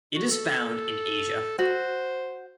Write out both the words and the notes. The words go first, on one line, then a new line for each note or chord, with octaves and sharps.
It is found in Asia.
F#4
A4
F#4 C5